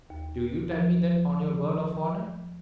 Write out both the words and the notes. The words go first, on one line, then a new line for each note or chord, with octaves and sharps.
"Do you tell me that on your word of honor?"
D#2
F3